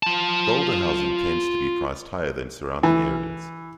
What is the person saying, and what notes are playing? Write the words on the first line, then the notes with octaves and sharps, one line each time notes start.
Boulder housing tends to be priced higher than surrounding areas.
F4 A5
E3